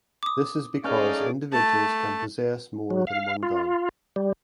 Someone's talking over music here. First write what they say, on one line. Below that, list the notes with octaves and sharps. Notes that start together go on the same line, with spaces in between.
This is because individuals can possess more than one gun.
D6 D#6
A3 C#4 D#4 G#4 D5 F5
A3 A5
F#3
F5
F4
G3